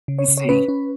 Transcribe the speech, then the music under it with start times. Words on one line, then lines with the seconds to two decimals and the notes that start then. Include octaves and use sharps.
you see?
0.08 C#3
0.19 C#5
0.28 C#3
0.37 C#5
0.49 C#4 B4
0.68 C#4